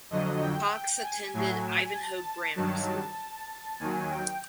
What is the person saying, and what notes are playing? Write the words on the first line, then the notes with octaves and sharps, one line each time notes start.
Cox attended Ivanhoe Grammar School.
F2 D3 F#3 D#5
G5
G5
G#5
A2 F#3 G#5
A5
G2 D#3 F#3 A5
D#2 D#3 F#3 G#5
G5